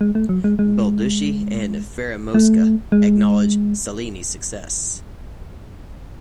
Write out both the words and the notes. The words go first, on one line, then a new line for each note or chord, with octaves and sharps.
Balducci and Fieramosca acknowledge Cellini's success.
G#3
A3
F#3
G#3
G#3
A3
G#3